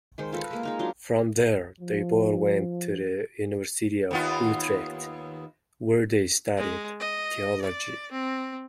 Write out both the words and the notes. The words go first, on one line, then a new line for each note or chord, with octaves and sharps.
From there, they both went to the University of Utrecht where they studied theology.
D#3 G#3 C5
F4 A4 B4
G#3 A#3
G#3 D#4 A#5
F#3 D4 F4
F3
D#2 B3 F4
G#3
D#5
D5
C4